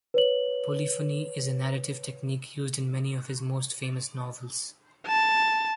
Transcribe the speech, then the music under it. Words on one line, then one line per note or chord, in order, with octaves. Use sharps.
Polyphony is a narrative technique used in many of his most famous novels.
B4 C#5 F#7
A5